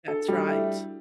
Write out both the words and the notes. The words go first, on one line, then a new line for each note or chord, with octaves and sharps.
That's right.
D4 A4
G3 G4
F#4
A3 E4